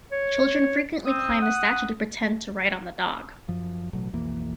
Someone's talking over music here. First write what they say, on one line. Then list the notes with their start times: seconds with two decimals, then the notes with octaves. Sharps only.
Children frequently climb the statue to pretend to ride on the dog.
0.12 C#5
1.06 C4 D#6
1.42 F#5
3.48 F#2 F3
3.93 A1 B2 F#3 A3
4.13 B1 F2 E3 A#3